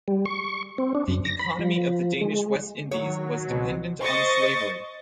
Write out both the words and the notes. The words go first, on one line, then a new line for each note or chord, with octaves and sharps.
The economy of the Danish West Indies was dependent on slavery.
G3
C#6
C4
D4
F#2
A#6
B5
F3
G#3
D#3 F#3 C#5
C#2 B2 C4
C5 D#5 C#6 A6